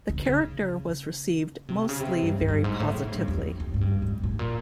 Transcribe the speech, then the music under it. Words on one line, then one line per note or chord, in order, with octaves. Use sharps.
The character was received mostly very positively.
D3
C#3
C3
C#3
C3
G2
F#2
G#2
G2
G#2
A2
A2
G2
F2
F2
G#2
G2
G#2
A2
A#2